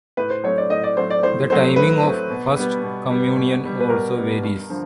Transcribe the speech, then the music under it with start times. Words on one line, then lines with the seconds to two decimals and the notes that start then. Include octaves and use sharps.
The timing of First Communion also varies.
0.17 A2 B4
0.30 C5
0.44 F#3 A3 C4 C#5
0.58 D5
0.70 A2 D#5
0.84 D5
0.97 F#3 A3 C4 C5
1.10 D5
1.23 A2 C5
1.50 F#3 A3 C4 C5
1.76 A2 B4
2.03 F#3 A3 C4
2.30 B2
2.56 G3 B3
2.83 B2
3.10 G3 B3
3.36 B2
3.63 G3 B3
3.80 B4
3.89 B2 A#4
4.16 G3 B3
4.43 G2
4.70 D3 F3